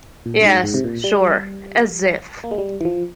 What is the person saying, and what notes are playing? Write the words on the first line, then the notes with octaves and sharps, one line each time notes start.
Yes sure, as if.
A#2
G2
G#2
G#2
C3
A#2
G3
A#3
G#3
G3
E3
F3